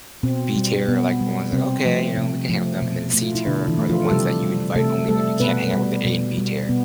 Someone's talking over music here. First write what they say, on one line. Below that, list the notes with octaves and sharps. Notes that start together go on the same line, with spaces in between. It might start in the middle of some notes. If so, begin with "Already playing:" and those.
B-tier are, like, the ones that, okay, you know, we can hang with them, and then the C-tier are the ones that you invite only when you can't hang out with the A and B-tier.
B2 C4
G3
B2 B3
G3
C3 C4
F3 A3
C3
F3 A3
B2
A3
F4
E4
B2 D3 D4
E3 E4
A3
F3 F4
A4
C3 G3 G4
G3
C3 A3 A4
G3 A3 A4
B2 B3 B4
G3
B2
G3
B2 B3